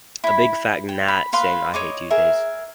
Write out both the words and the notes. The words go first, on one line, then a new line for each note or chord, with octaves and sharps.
A big fat gnat saying 'I hate Tuesdays.
E4 B5
G5
B5
B4 F5 C6
C#5 D#5 D6
G#4 A#4 E5